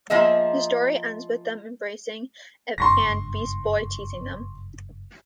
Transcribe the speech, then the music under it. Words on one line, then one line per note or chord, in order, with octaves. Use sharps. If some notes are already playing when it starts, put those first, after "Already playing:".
The story ends with them embracing, and Beast Boy teasing them.
F3 A#3 G#4 D#5 E5
F#1 G2 C6 C#6 A#6